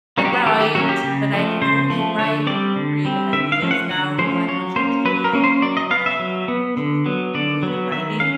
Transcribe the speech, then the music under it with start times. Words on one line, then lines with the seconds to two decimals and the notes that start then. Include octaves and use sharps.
I write, but I can only write creative ideas down while I'm watching TV, I have to have it off if I'm actually doing the writing,
0.18 F#3 A#3 C#4 F#4
0.25 G4
0.32 F#4
0.46 D#3 G4
0.60 G4
0.75 F#3 A#3 C#4 F#4
0.89 G4
1.03 C#3
1.33 F3 A3
1.62 C#3 C5
1.90 F3 A3
2.19 D3 C#5
2.47 G3 C4 D5
2.76 D3
3.05 G3 C4
3.33 D3 E5
3.52 F5
3.62 F3 A3 C#4
3.71 F#5
3.90 D3 F#5
4.19 F3 A3 C#4 C5
4.48 F#3 C#5
4.76 A#3 C#4 C5
5.05 F#3 B4
5.24 A#4
5.33 A#3 C#4
5.44 C5
5.62 F#3 D5
5.77 D#5
5.91 B3 F5
6.06 E5
6.19 F#3
6.48 B3
6.77 D3
7.06 F#3 B3
7.35 D3 D5
7.63 F#3 B3
7.91 D#3 E5
8.20 C#4 F5